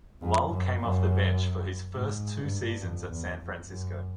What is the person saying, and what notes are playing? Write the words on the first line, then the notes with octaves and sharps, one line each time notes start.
Lull came off the bench for his first two seasons at San Francisco.
F2
F#2
F#2
G#2
G2
F2
E2
F2
F#2